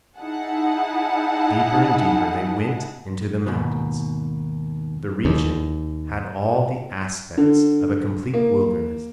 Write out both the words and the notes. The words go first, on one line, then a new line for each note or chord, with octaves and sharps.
Deeper and deeper they went into the mountains. The region had all the aspects of a complete wilderness.
D#4 E4 G#4 F#5 A5
D#2 G#2 B2
D#2
D3
A#3